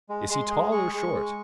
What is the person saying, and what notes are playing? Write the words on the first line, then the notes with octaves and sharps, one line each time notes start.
"Is he tall or short?"
G#3
G#3 C6
G#4
G#3 C#6
G#3
G#3